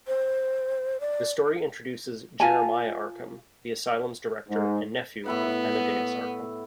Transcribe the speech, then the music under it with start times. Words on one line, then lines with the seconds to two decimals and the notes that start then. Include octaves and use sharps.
The story introduces Jeremiah Arkham, the asylum's director, and nephew of Amadeus Arkham.
0.07 C5
1.00 D5
2.40 F4 G#5 A5
4.49 G#2
5.26 A2 B3 E4 F#5